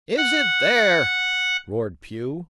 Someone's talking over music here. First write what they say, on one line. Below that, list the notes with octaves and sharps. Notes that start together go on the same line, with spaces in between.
"Is it there?" roared Pew.
F#5